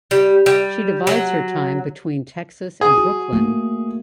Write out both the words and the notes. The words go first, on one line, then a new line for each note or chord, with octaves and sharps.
She divides her time between Texas and Brooklyn.
G3
G3
F#3
G#4
F#4
A3 A#3